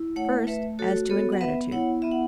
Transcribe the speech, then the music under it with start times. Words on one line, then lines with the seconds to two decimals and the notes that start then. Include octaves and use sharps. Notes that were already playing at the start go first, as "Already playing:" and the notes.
First, as to ingratitude.
Already playing: E4
0.16 A3 C#5 F#5
0.47 A3 B4 E5
0.79 F#4 A4 C#5
1.09 B3 A4 C#5
1.32 F#5
1.41 B3 B4 E5
1.72 E4 C#5 F#5
2.02 B3 E5
2.11 F#5